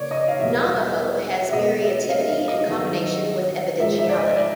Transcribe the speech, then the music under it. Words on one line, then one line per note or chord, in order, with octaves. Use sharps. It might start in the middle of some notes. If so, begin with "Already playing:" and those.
Navajo has mirativity in combination with evidentiality.
Already playing: C#3 A#3 C#5 D5
D#5
F5
E2 B2 G3 E5
E5
B2 G#3 B3 D#5
E5
F5
E5
D#5
G2 D#3 F#3 B3
G#2 F3 G#3 E5
E5
D5
D#5
D5